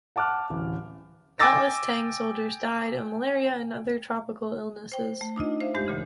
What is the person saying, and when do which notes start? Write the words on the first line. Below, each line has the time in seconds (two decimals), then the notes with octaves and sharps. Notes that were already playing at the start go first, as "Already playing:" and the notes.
Countless Tang soldiers died of malaria and other tropical illnesses.
0.16 F#5 A5 D6 F6 F#6
0.50 D1 A1
1.39 G5 G#5 D6 E6 A6 A#6
4.92 C5 G5
5.21 A3
5.36 D4 D#4 F4 D#5
5.61 C5 E5 F5
5.75 G2 G#3 G4 G6
5.86 D2 A#2 C#3 E3